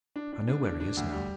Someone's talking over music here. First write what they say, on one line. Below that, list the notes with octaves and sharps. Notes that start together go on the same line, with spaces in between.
I know where he is now.
D4
D4
D4
D4
D4
D2
G3